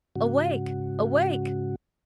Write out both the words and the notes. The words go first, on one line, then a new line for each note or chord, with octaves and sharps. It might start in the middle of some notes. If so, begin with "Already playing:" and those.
"Awake, awake!"
G#2 C#3 F#4